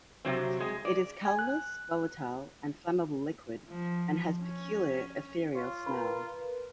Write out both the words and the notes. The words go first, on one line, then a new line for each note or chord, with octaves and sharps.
It is colorless, volatile, and flammable liquid and has peculiar ethereal smell.
C3 F#3 C4
G#3
D5
G#5
F#6
F3
C#4
F4 C#5
A#4 B4